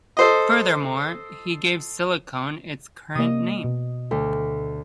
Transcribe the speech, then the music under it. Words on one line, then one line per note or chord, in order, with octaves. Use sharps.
Furthermore, he gave silicon its current name.
A4 C5 D#5
C3 A#3 D#5 D#6
B2
D2 A3